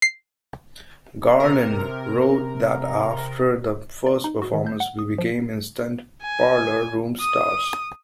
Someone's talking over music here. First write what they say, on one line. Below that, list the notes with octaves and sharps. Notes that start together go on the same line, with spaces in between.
Garland wrote that after the first performance, We become instant parlor room stars.
C7
C3 A#4
D5
D#4
F#4
D#3
G6
F#5
D#6
F3
G#5
D#6